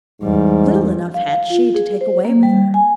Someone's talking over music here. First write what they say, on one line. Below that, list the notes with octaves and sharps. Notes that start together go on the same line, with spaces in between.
Little enough had she to take away with her.
E2 G#2 G3
F5
F4
G#4
C5
A#3
G3
G#5